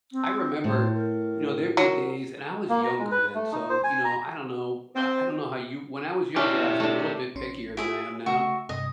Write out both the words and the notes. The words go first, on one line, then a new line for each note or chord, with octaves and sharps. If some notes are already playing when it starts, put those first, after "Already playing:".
I remember, you know, there'd be days and I was younger then, so, you know, I don't know, uh, I don't know how you when I was younger, I was a little bit pickier than I am now,
C4
A2 C5
A#4
F#3 A#4
A#3
A#5
G#3
B4
A3
D#4
C5
G#5
A#5
C4
C#4 D4 E4 G4 E5
A3 D4
A#1 C#4 C6
E4 F4 G4 G#4 E5
C#3 A3 F#4 E5 C#6
G2 C3 D#5